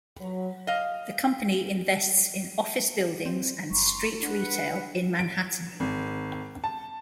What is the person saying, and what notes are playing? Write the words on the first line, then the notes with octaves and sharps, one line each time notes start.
The company invests in office buildings and street retail in Manhattan.
F#3
D#5 F5
C4
F#1 A#5 C6 C#6
D4 B4 F#5
D7
G#1
A5